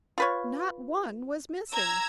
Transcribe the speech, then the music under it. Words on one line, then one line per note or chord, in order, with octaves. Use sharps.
Not one was missing.
F4 B4 C#5
A#5 E6 G#6